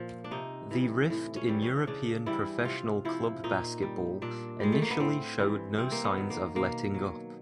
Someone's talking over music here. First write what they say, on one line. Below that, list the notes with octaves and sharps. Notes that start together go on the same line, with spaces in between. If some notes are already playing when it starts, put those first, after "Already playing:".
The rift in European professional club basketball initially showed no signs of letting up.
Already playing: A#2 F3
D4
C3 D#4
E3 G3
A2
C#4
E3 G3
C#4
C#3 D4
E3 G3 E4
C3 F4
F3 E4
A#2 D#4
G3
A#2 D4
G3 G#3
A3
A#3
B3
A2 C4
E3 G3
C3 C4
A#3
B3
D#3 F#3
A#3
B2 A#3
F#3